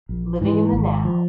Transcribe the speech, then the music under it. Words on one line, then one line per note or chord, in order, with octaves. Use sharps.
Living in the now.
A#1
G#2 E3
G#1
F3